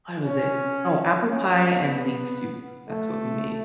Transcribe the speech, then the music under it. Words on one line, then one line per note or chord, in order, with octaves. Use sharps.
what was it? Oh, apple pie and leek soup, that's what we made,
C#4
C#4
B3
A3